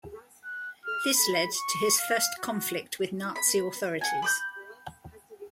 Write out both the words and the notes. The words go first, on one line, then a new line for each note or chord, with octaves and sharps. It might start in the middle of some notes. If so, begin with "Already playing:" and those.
This led to his first conflict with Nazi authorities.
F#6
F6
B5
C#6
F5
F#4
B5
F#5 G#5
B5 D6 G6